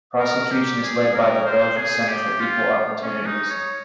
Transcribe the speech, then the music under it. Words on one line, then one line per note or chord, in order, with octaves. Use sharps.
Prosecution is led by the Belgian Centre for Equal Opportunities.
A#4
G4
G#4
A#4
C5
G#4
G4
F4
C#4
D#4
C#5